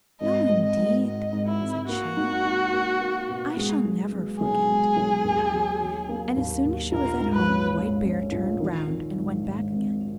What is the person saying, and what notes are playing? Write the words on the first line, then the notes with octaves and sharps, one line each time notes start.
"No, indeed," said she, "I shall never forget;" and as soon as she was at home the White Bear turned round and went back again.
G#1 D#5
G#1
D#5
G#2
G#2 D#5
G#2
E4
G#1
A#3 F#4
D#4
D#4
A#3
A#3
B2
G#3
B1
G#3
B1 G#4
G#3
B1
D#2
F#3
F#3
A#3
D#2
D#2
A#1 A#4
G#2
B4
C#4
G#2
C#4
A#1
D#3
D#3
G#2
G#2
G#1